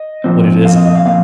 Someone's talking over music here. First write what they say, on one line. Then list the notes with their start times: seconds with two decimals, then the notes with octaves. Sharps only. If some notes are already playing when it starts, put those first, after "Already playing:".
But it isn't.
Already playing: D#5
0.24 A#2 F3 C4
0.65 A#2 F3 C4 F5
0.75 D#5
0.86 D#5
0.95 F5
1.06 A#2 F3 C4 F5